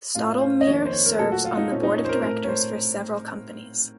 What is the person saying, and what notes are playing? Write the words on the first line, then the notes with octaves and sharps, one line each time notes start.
Stottlemyre serves on the board of directors for several companies.
A2 A3 C#4 F4
C5
D#5
F2 D#3 A#3 C#4 C#5
C5
C#5
A#4
A#2 F#3 A3 A4
F#4
F4
D#4
A#2 A3 C4 C#4
D#4
C#4
C5
A#4
A2 A3 C4 A#4
C#5
C5